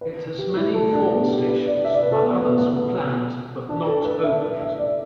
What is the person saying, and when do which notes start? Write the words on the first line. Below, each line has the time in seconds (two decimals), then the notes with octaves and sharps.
It has many former stations, while others were planned but not opened.
0.01 B4
0.38 G4
0.57 E4
0.74 A3
0.93 D4
1.12 B3
1.30 G4
1.48 B4
1.67 D5
1.85 E5
1.94 D5
2.03 B4
2.12 A4
2.22 B3
2.40 B3
2.58 B3
2.76 B3
3.69 D4
3.87 A4
4.05 B4
4.24 E5
4.60 E5
4.79 D5